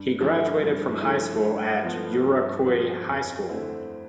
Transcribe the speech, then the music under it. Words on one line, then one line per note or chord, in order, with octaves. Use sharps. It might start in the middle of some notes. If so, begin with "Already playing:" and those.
He graduated from high school at Yuraikuei High School.
Already playing: G2
D3 F3 A3 E4
G2
D3 F3 A3 E4
G2
F3 B3 F4 A4
G2
F3 B3 F4 A4
F2
D3 A3 C4 E4